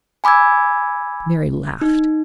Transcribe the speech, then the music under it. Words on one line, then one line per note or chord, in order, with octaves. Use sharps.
Mary laughed.
G#5 B5 D6 E6 G#6
D#4